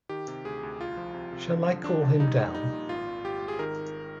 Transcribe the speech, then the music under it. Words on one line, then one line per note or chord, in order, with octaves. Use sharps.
Shall I call him down?
D#3 G4
C3
D2 G#4
D2
C2 F4
F3
C3
C3
D3
F3
F3 D4
D#2
G3 D#4
A#2
G3 D#4
A#2
G#1 F4
G#1
G#1 G4
G#1
G#4
D#3 A#4